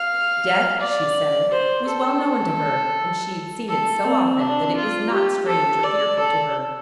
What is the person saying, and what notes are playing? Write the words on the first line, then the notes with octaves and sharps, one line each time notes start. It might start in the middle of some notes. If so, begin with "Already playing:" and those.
Death, she said, was well known to her, and she had seen it so often that it was not strange or fearful to her.
Already playing: F5
D5
C5
A4
A4
C4
D4
F4
G4
A4
D5
A4